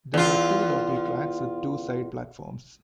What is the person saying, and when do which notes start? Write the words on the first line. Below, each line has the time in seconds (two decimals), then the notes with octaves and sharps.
There are two local tracks with two side platforms.
0.14 E2 F4